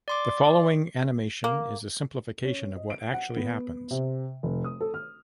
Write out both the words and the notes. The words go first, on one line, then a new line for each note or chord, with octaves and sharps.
The following animation is a simplification of what actually happens.
D5 C6 D6
A#3
C#4
D#5
D7
F#5
B3
C3
F1
D#6
A4
F6